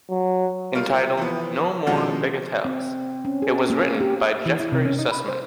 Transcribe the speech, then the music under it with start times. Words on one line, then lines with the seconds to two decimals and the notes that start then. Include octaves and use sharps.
Entitled "No Mere Bagatelles", it was written by Jeffrey Sussman.
0.10 F#3
0.75 G3 F4 A#4
1.17 E3 F3 B3
1.86 B2 D#3 F3 G#3 C#4 D#4
2.65 C4
3.25 C#4
3.42 G#4
3.70 A#3
4.00 G4
4.46 E3
4.59 E4
4.72 C3
4.85 C#4
4.99 D#4
5.12 B5
5.28 C5